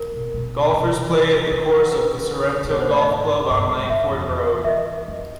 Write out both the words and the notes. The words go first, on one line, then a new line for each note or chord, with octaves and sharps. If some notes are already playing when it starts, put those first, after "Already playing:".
Golfers play at the course of the Sorrento Golf Club on Langford Road.
Already playing: A#4
B2
B2
C3
C#3 A#4
D3
A#4
C#3 B4
A#2
B2 C#5
C5
A2 D5
D#5
G#2
G2
G#2
G2 E5
F2
E2
E5
D#5
F2